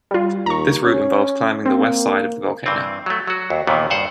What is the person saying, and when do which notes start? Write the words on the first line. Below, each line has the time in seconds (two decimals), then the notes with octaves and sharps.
This route involves climbing the west side of the volcano.
0.11 G3 F4
0.46 D#2 A#5 C#6
0.82 C#4
1.66 A#3 C4
2.66 G2 E3 C4
3.06 F#3 A3
3.27 F#3 F#4
3.50 D#2
3.67 D#2 A#2 D#3 E3 B3
3.90 G2 C5 F#5